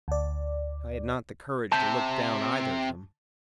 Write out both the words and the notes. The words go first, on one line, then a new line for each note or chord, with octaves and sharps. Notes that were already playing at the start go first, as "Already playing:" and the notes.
I had not the courage to look down either of them.
D2 D5
C3 A5 G6